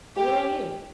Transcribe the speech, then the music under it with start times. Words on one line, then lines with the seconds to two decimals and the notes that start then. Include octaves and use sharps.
but what about you?
0.16 G4